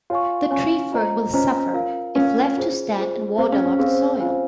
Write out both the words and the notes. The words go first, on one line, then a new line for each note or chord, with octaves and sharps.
The tree fern will suffer if left to stand in waterlogged soil.
F4 C#5 G#5 C#6
C#4 C#5 G#5 C#6
F4 C5 D#5 A#5
C#4 F4 C5 D#5 A#5
F4 A#4 F5
C#4 F4 A#4 F5
F4 G#4 C5
F4 G#4 C5
C4 G#4 C5 F5
C#4
C#4
C4 G#4 C5 F5
F4 C5 F5 G#5